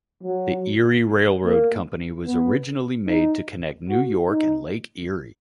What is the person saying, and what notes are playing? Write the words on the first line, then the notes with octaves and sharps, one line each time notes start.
The Erie Railroad Company was originally made to connect New York and Lake Erie.
F#3
A#3
B3
D#4
F#4
D#4